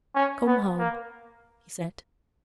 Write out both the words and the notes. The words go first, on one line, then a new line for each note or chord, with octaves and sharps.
"Come home," he said.
C#4
B3
A#3